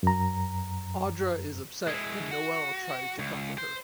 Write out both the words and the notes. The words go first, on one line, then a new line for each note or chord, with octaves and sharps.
Audra is upset and Noel tries to comfort her.
F#2 A#5
G#3 E4
F#4
C#2
C5